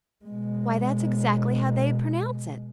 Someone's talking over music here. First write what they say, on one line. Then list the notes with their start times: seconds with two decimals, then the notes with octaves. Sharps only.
"Why, that's exactly how they'd pronounce it!"
0.25 B2 G#3